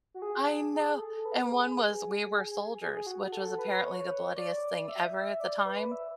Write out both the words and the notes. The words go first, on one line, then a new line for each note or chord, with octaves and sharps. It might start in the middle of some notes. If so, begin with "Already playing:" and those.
I know, and one was We Were Soldiers, which was apparently the bloodiest thing ever at the time,
F#4
G#4
G#4
A4
B4
G#4
G#4
F#4
A4
B4
C#5
D5
E5
E5
D5
B4
E5